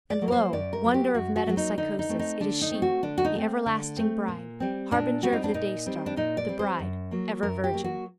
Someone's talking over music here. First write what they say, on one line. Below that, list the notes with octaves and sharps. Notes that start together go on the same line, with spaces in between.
And lo, wonder of metempsychosis, it is she, the everlasting bride, harbinger of the daystar, the bride, ever virgin.
D5
F#3 A#3
A#4
C5
F#2 D5
A#4
F#3 A#3
G4
F#2 F#4
F#4
F#3 A#3 F#4
D#4
D3 D#4
D#4
A3 C4
D#4
D3 D4
D#4
A3 C4
F#4
D3 D4
F#4
D#4
A3 C4
D3
A3 C4
A#2
G3 C4
A#2 D4
G3 C4 F#4
D#4
D4
A#2 D#4
G3 C4
D4
A#2 D#4
D5
G3 C4
C5
F#2
F#3 A#3
F#2 A#4
G4
F#3 A#3
F#4